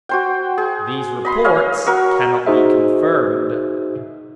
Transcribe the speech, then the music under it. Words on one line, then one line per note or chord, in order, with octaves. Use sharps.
These reports cannot be confirmed.
F#4 C5 G5
G#4
D#5 B5 C6
C#5 D#5 F5 G#5
F#4 A#4 C#6 E6
D#4 F#4 G#4 C5 D#5 E5